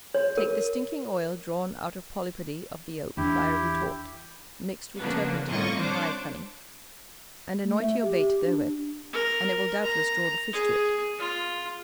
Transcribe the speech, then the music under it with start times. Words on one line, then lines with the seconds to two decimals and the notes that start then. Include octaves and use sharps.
"Take the stinking oil drawn out of polypody of the oak by a retort, mixed with turpentine and hive-honey, and anoint your bait therewith, and it will doubtless draw the fish to it."
0.14 C#5
0.37 A#4
3.17 E2 D4 E4 G4
4.99 C#3 F3 A#3 B3 D4
5.47 C2 A2 A#3 F4 D#5 C#6
5.80 D4 C5 C#5 F5 D6
7.64 A3
7.82 E5
8.03 G4
8.45 D4
9.13 A#4
9.84 A#5
10.53 G#4
11.19 F4